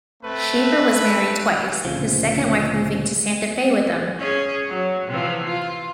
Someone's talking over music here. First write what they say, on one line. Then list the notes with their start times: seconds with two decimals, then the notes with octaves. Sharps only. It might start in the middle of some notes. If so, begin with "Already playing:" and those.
Schaefer was married twice, his second wife moving to Santa Fe with him.
0.22 A3 C4 B4
1.85 D2 A#2 C#3 F3
4.18 C#4 G#4
4.69 F#3
5.08 C3 E3 F3
5.47 F4